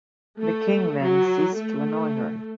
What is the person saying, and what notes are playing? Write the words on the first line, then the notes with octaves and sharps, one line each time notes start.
The king then ceased to annoy her.
A3
F#3
A3